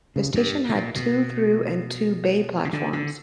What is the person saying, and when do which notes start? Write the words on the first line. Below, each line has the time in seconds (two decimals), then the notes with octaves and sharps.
The station had two through and two bay platforms.
0.16 C#3
0.35 G2
0.69 B2
0.75 A#2
0.95 B2
2.65 C#3
2.73 D3
2.93 D3